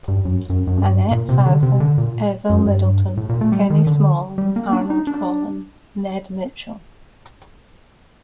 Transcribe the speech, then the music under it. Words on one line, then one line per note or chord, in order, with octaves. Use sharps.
Annette Sausser, Ezell Middleton, Kenny Smalls, Arnold Collins, Ned Mitchell.
G2
F#2
F#2
F#2
G2
A#2
C3
D3
C3
D3
A#2
F#2
G2
A2
A#2
A3
G3
D#3
D3
G3
A#3
D4
D#4
D4